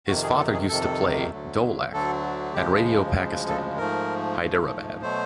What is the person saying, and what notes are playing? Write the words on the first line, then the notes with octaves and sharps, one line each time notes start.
His father used to play Dholak at Radio Pakistan Hyderabad.
F2 C3 D#3 F#4
G#4
A4
G#4
F2 C3 D#3 A4
D2 D3 F#3 A3
D2 D3 F#3 A3 A4
D2 C#3 F3 G#3 G4
D2 C#3 F3 G#3
A4
G#2 F3 A3 A#4
G#2 F3 A3
B2 F#3 A3 C5